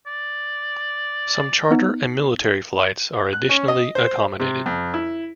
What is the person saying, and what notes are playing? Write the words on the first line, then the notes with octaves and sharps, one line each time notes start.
Some charter and military flights are additionally accommodated.
D5
B3 D#4
F#6
C#4
D#5
C5
C3
F2
E4